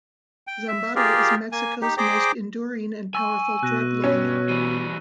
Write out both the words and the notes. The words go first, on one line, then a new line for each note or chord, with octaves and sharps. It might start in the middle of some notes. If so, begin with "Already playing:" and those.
Zambada is Mexico's most enduring and powerful drug lord.
G5
E5
F4 G4 G#4 A#4 D5
A#3 G#5
D#4 G4
G#4 C5 D5 G5 A#5 D6
G#5 C#6 E6
B2 F#6 A#6 D#7
G2 C#4
E3 G3 D#7